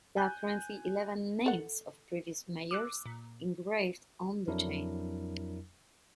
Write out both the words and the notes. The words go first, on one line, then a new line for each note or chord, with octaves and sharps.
There are currently eleven names of previous mayors engraved on the chain.
G#5 F#6 G6
A4 F#5
D6 E6 F#6
A#2
F2 F#3 D4 E4 A#4